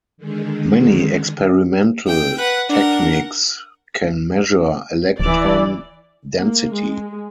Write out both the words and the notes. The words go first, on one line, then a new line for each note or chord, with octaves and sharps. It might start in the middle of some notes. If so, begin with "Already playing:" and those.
Many experimental techniques can measure electron density.
D3 D#3 G#3
G5
B4 F#5 F#6
D4 A#4 F#5
D1 E3 D5
A#3
G#3